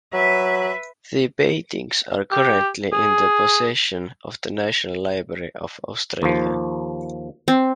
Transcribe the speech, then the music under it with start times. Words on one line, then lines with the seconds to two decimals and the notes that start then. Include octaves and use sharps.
The paintings are currently in the possession of the National Library of Australia.
0.13 F#3 B4 E5
2.31 G4
2.92 G#4
6.22 D#2 F3
7.48 C4